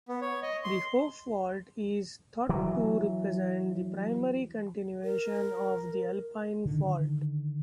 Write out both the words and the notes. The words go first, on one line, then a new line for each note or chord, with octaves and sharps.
The Hope fault is thought to represent the primary continuation of the Alpine fault.
B3
C#5
D#5
C6
E3 F#3
A#4
D3 D#3